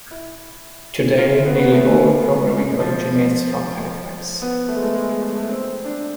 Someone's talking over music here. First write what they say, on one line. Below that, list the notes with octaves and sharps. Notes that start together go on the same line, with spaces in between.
Today, nearly all programming originates from Halifax.
E4
F4
E4
B3
B3
A3
F3
B3
A3
G#3
A3
G#3
G#3
A3
A3
C4
D4